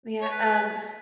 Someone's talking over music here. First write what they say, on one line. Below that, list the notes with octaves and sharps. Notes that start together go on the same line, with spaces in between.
Yeah, um,
C#5
B4